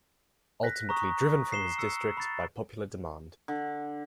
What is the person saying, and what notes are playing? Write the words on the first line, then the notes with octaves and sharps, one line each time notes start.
Ultimately driven from his district by popular demand.
F#6 A#6 B6
A#5 C#6 D#6
B6 C7 E7 G7
E6 C#7
B5 A6
D3